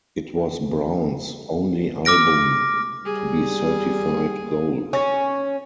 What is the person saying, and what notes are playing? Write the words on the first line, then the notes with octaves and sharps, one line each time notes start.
It was Brown's only album to be certified gold.
D6 F6 A#6 D7
G3 G#4
C#4